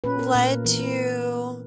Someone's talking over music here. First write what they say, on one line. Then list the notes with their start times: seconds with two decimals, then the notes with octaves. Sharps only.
led to
0.04 A#2 A#3 C#4 B4
0.19 A#4
0.34 A#2 A#3 C#4
0.65 E3 B3 A#4
0.80 B4